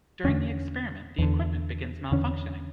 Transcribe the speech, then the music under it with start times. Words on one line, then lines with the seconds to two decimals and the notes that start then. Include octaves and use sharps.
During the experiment the equipment begins malfunctioning.
0.24 E2 D3 C#4
1.19 E2 D3
2.12 E2 D3 C#4